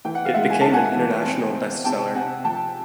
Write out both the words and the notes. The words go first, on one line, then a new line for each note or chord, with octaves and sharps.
It became an international bestseller.
E3 G5
F#5
F5
G#3 E5 F#5
G#5
D#4 A5
F#5 G#5
E3
C4
C4
C3 G5 A5
C3 F#5 G#5
F3 G5 A5